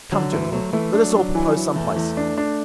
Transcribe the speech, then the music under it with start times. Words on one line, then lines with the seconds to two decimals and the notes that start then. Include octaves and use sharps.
Come, gentlemen, let us all propose some place.
0.12 D3 F#3
0.33 D2 E3
0.52 F#3 A3
0.73 E3 A3
0.93 F#3 D4
1.15 D4
1.35 E3
1.55 E3
1.76 E2 A3
1.96 E2
2.17 D4
2.38 D4